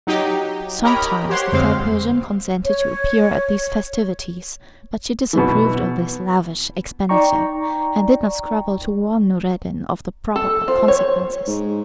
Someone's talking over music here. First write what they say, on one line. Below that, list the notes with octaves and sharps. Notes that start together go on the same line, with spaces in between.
Sometimes the fair Persian consented to appear at these festivities, but she disapproved of this lavish expenditure, and did not scruple to warn Noureddin of the probable consequences.
F#3 D#4 G4
G4 A#4 C#5 D#5 A#5 B5
G4 C5 C#5 F#5 C6
F2 D3 G#3 C4 C5 F5
C#5
B2 E3
D#4 D5 G5 A#5 C#6
A4
F4 C5
C#5
G#2